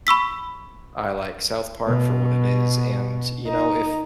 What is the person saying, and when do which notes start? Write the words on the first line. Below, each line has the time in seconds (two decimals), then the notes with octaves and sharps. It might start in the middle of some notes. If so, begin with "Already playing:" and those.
I like South Park for what it is, and you know, if
0.07 B5 C#6 E6 B6
1.86 B2
3.46 D#4